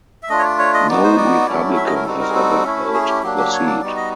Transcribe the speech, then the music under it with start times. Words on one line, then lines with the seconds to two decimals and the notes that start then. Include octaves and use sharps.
No Republican has ever held the seat.
0.23 E5
0.29 A3 D4 F4 D#5
0.39 C#5
0.44 D5
0.58 C#5
0.74 D#5
0.88 B3 D#4 F#4 D5
1.03 C5
1.17 D5
1.47 F#3 A3 C#4 E4
1.76 E5
1.86 D#5
1.95 A#4
2.05 G3 C4 D#4 F#4 A4
2.21 A#4
2.29 G#4
2.35 A4
2.64 A3 C#4 E4
2.94 G#4
3.08 G4
3.23 F#3 A#3 D4 G4
3.38 G4
3.53 C#5
3.67 D5
3.81 G3 B3 D#4 F#4 D5
3.96 D#5